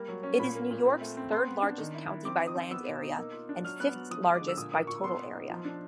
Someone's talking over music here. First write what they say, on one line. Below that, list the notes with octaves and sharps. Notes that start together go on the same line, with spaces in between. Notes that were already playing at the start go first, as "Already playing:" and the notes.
It is New York's third-largest county by land area and fifth-largest by total area.
Already playing: G3 A#3
F#3
C#4
A#2 B5
A#3
A#2
C4
A3
C4
B3 C6
B3
D4
D#3
E4
E4
C4 D6
D#4
D#6
C4
B3 E6
B2
D#4
A#3
F4
D4
F#3 F6
B3 F#6
F#3
F3 D#6
G#3
D6
D3
E6
A#2 D#6
A#3 D#6
A#2 C#6
B3 C6
B3
D#4
F3
D4